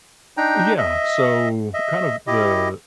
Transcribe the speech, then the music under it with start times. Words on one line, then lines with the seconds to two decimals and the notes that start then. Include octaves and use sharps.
Yeah, so, kind of the
0.37 D4 D#4 G5 A#5
0.78 D#5 E5
1.74 D#5 E5
2.27 E4 G4 D#5